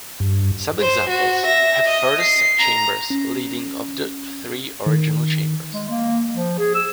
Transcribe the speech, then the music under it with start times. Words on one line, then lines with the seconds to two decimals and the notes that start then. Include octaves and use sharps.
Some examples have further sub-chambers leading off the three original chambers.
0.20 G2
0.80 C5
1.10 F#4
1.45 E5 A#6
1.88 D#5
2.20 C7
2.59 A#5
3.10 C#4
4.86 D#3
5.73 G#3
5.89 A#3
6.34 F3
6.58 G#4
6.75 E6